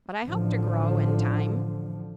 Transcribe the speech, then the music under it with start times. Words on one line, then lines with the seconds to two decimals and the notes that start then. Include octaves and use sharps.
But I hope to grow, in time.
0.24 A1 D3 F3